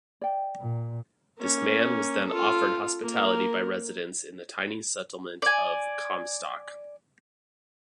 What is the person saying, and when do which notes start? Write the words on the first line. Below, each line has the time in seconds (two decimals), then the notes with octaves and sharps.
This man was then offered hospitality by residents in the tiny settlement of Comstock.
0.22 D5 G5
0.60 A#2
1.39 A#3 C#4
2.28 F4 A4
3.03 A#3 A#4
5.42 D5 G#5